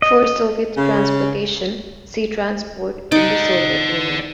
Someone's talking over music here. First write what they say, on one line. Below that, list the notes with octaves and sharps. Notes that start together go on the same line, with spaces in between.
For Soviet transportation, see Transport in the Soviet Union.
D#5
C#3
D#4 D5 F#5